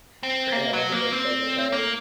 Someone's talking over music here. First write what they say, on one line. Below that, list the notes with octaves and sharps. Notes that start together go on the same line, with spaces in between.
Greyhound was then retired.
C4
A#3
F#3
A#3
C4
A#3